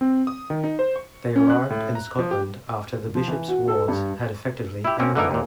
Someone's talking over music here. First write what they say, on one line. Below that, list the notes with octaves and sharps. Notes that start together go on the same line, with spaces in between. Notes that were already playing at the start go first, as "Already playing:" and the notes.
They arrived in Scotland after the Bishops' Wars had effectively ended.
C4
D#6
D#3
D#4
C5
C#6
C#4
F#6
A2
A#5
F3
G4
F3
E3
F#4
A4
G2
E4 G4
A#3 C4 C#4 A#4
D3 E3 A#3 D#4 A#4
D#2 A#2